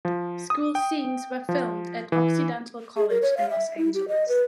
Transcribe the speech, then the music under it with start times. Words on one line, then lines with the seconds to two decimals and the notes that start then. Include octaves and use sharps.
School scenes were filmed at Occidental College in Los Angeles.
0.05 F3
0.50 D#6
0.75 G5
1.49 F3
2.12 E3
2.97 G#4
3.10 A#4
3.22 C#5
3.37 F5
3.50 E5
3.78 E4
3.94 G4
4.08 D#5
4.28 B4